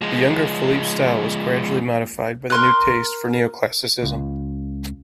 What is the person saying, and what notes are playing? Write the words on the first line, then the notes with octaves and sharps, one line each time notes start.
The younger Philippe's style was gradually modified by the new taste for Neoclassicism.
F3 G#3
A#4 C6 F#6
C#2